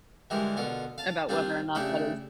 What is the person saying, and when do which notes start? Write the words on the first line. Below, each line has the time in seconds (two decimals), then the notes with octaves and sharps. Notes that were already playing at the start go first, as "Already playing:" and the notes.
about whether or not that is
0.30 D3 E3 G3 G#3 E4 A#4
0.57 B2 D3 F4 A#4
0.98 F5 A5
1.29 G3 C4 D4 F4 G4 A#4
1.75 C#3 A3 D4 E4 G4 E5